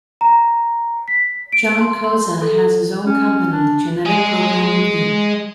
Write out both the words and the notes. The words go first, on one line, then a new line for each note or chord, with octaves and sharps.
John Koza has his own company" Genetic Programming Inc.".
A#5
B6
D7
C6
C6
A4
C#4
D4
G#3 G#4